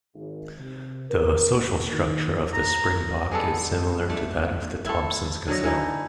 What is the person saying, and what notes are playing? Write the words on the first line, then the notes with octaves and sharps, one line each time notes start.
The social structure of the springbok is similar to that of the Thomson's gazelle.
G#1
C3
A#4
A#3
D#3
A#5
G#3 B3 D4 A4
A3 D4
E4 A4
D3 F#3 D#5
D3 E3 D#4